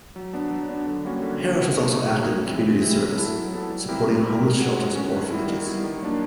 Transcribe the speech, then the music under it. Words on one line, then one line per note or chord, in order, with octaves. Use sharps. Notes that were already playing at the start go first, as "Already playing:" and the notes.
Harris was also active in community service, supporting homeless shelters and orphanages.
F#3
B3 D4
F#3
B3 D4
D3
G3 A#3 C#4 F#4
D3
G3 A#3 C#4 F#4
B2
G3 A#3 D#4 G#4
B2
G3 A#3 D#4 G#4
C#3
E3 G#3 C4 E4
C#3
E3 G#3 C4 E4
F#3
B3 E4 A4
F#3
B3 E4 A4
G3
C4 E4 G4 A#4
G3
C4 E4 G4 A#4
G#3
C#4 F#4
G#3
C#4 F#4
D#3
G3 B3 E4
D#3
G3 B3 E4
D#3
F#3 A#3 D4